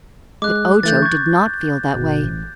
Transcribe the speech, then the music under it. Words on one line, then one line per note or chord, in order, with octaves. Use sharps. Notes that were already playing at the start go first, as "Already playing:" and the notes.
But Ojo did not feel that way.
G#3 D6 F#6
E3 A3 G6 A6
C#6 G#6
G1 B2
A1